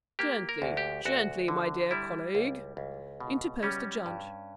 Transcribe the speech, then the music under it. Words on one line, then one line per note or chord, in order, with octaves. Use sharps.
"Gently, gently, my dear colleague," interposed the Judge.
A#3 G4
A#4
D2
G4
D2 F#4
D3
G3 E4
C#2
C#2
B2
G3 C#4
G2